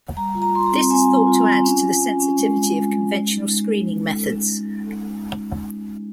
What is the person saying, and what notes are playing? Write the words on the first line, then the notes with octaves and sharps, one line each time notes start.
This is thought to add to the sensitivity of conventional screening methods.
G3 A#5
F4
A#5
F4 C6
A#5
C4
C4 G#5
G3
F4
F4
C#4
C#4
C#4
C#4
G#3
C#4
G#3
C#4
G#3
D#4
G#3